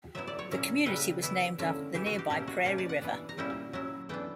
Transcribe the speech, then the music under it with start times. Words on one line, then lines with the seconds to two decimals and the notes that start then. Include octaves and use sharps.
The community was named after the nearby Prairie River.
0.15 F#3 B3 E4 E5
0.27 D5
0.39 C#5
0.51 A#2 A#3 C#4 E4
0.86 C#3 G3 A#3 E4 B4
1.22 E3 B3 E4
1.58 D3 A#3 C#4 E4
1.94 E3 B3 E4 G4
2.06 F#4
2.19 G4
2.30 B2 A#3 C#4 E4 G4
2.47 F#4
2.64 B2 A#3 C#4 G4
2.78 D5
2.89 F#5
3.02 E3 B3 D4
3.29 A#5
3.37 A#2 G3 A#3 C#4 E4 G5
3.73 F#3 C#4 E4
4.09 E3 B3 D4 G5